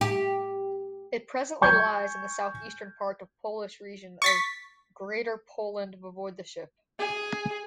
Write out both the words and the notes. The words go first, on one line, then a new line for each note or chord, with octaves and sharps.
It presently lies in the south-eastern part of Polish region of Greater Poland Voivodeship.
G4
G#5 C#6 G6 G#6
C#6 A6 B6
G#4